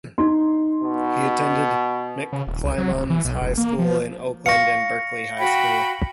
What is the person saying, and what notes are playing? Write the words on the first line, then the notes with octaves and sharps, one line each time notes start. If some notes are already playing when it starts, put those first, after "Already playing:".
He attended McClymonds High School in Oakland and Berkeley High School.
D#4 C6
B2
C#3
D#1
C2
F#3
D1
E3
B1
F1
A#3
F3
F5 C#6 A#6 C#7
F#4 G5 B5